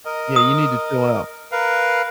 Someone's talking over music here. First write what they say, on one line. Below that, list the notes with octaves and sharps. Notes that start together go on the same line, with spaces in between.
Yeah, you need to chill out.
A#4 D#5
D#6
A#4 B4 F5